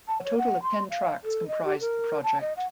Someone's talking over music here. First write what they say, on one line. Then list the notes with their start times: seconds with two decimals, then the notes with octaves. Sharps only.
A total of ten tracks comprised the project.
0.08 A5
0.24 C#5
0.37 F#5
0.63 C6
0.90 F5
1.24 A4
1.48 D#5
1.65 G4
1.80 A#4
2.23 A5
2.41 D#5
2.57 F#5